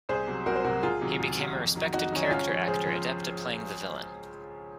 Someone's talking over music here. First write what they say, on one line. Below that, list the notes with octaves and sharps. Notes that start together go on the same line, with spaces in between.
He became a respected character actor, adept at playing the villain.
C2 G#4 C5
C3 F#3
C2 F#4 A#4
C5
C3 F#3 F#4 A#4
C#2 F4 G#4
C3 D#3 F#3
C#2
C3 D#3 F#3
F2
D#3 F#3
F2 D#4 F#4
D#3 F#3 C#4
D#4
C#2 C#4 F4
C#3 F3
C#2 G#4 C5
C#3 F3